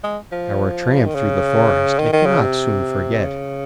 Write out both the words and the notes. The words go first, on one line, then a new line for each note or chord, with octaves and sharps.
Our tramp through the forest I cannot soon forget.
G#3
F3
D#3
C#3
D#3
D#3
C#3
C3
C#3